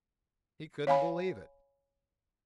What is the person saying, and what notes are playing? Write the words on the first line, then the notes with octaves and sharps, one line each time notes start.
He couldn't believe it.
C#5 F5 G#5 B5